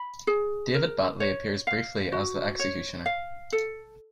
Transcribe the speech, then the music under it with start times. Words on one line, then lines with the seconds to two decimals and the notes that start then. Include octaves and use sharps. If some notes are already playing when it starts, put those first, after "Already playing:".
David Battley appears briefly as the Executioner.
Already playing: B5
0.27 G#4
0.74 A#4
1.20 C#5
1.67 F5
2.12 F#4
2.59 C#5
3.06 F5
3.52 A4